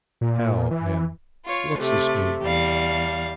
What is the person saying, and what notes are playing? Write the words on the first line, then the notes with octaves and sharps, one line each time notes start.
"Hell and--What's this mean?"
A#2
E3
F4 C#5
C3 A3
E2 G3 F5